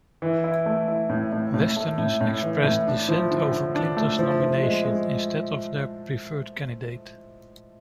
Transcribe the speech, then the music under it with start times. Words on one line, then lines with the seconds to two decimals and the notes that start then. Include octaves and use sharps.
Westerners expressed dissent over Clinton's nomination instead of their preferred candidate.
0.22 E3
0.44 E4
0.66 A3
0.88 E4
1.09 A2
1.32 A2
1.54 A2
1.76 A3
1.98 A2
2.21 A2
2.42 E3
2.64 A2
2.87 D4
3.08 F3
3.31 D3
3.52 D3
3.75 D4
3.97 A3
4.19 F3
4.41 F3
4.63 G#3
4.85 G#3